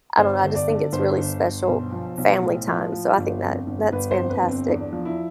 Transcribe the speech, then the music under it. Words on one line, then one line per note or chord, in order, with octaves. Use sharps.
I don't know, I just think it's really special family time, so I think that that's fantastic
G1 C5
D3
D5
D3
G1 C5
G1
G1
B1
F3
B1
A2
F3
F3
G1
F2
G1
G1 B4
C5
F2
B4
G1
C4
E2 D4
F3
E4